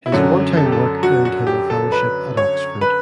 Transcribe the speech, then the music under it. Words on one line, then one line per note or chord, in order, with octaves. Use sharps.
His war time work earned him a fellowship at Oxford.
E4
F#2 D3 F#3 C#4 F#4
A4
G4
A4
F#4
F#4
G4
A4
B4
C#5
B4